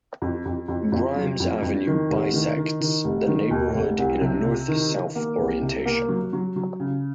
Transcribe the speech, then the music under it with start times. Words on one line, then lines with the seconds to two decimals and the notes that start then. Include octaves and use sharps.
Grimes Avenue bisects the neighborhood in a North-South orientation.
0.22 F2
0.45 F2
0.68 F2
0.92 F2
1.16 F#3
1.40 F2
1.62 F2
1.87 D#3
2.10 F1
2.34 D#3
2.57 D#3
2.81 D#3
3.04 F1
3.27 D#3
3.51 D#2
3.74 F1
3.98 C2
4.21 C3
4.44 C3
4.68 D#3
4.92 D#3
5.15 A#3
5.38 C2
5.62 C3
5.86 A#3
6.08 F#3
6.33 F#3
6.56 F#3
6.80 C#3